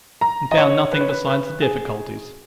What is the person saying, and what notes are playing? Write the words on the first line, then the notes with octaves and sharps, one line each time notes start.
'And found nothing besides the difficulties?'
A#5
D#5
C#5
B4
C#5
B4
B4
G#4